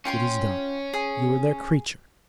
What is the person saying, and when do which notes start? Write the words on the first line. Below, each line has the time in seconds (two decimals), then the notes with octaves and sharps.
It is done--you are their creature.
0.05 C#4 F4 G5 C6
0.94 G#4